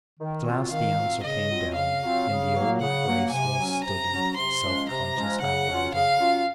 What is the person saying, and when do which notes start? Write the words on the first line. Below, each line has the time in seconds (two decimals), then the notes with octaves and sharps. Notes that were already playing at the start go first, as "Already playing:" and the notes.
At last the answer came down, in the old graceful, studied, self-conscious handwriting.
0.20 D#3
0.45 F#3 C4 F4
0.71 D#3 F5
0.98 F#3 C4 F4
1.24 C#3 D#5
1.50 F#3 C4 F4
1.75 C#3 F5
2.02 F#3 C4 F4
2.28 C#3
2.55 F#3 A#3
2.80 C#3 F#5
3.06 F#3 A#3
3.32 C3 G#5
3.58 F#3 C#4
3.85 C3 A#5
4.11 F#3 C#4
4.37 C3 C6
4.63 F3 G#3 C#4
4.89 C3 A#5
5.15 F3 G#3 C#4
5.41 C#3 F#5
5.68 F#3 C#4 F4
5.93 C#3 F5
6.19 F#3 C#4 F4